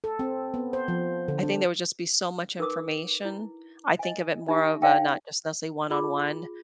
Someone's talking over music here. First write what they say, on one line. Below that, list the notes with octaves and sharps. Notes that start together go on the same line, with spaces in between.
I think there would just be so much information. I think of it more of a not just one on one,
A4
C4
B3
C5
F3
D3
D4
D#4 A#4 B4 D6 D#6
E4
D#5 G#5
D#4 G4 E5
D#4 C#5 E5 F5 G5
F4 G#4 B5 D6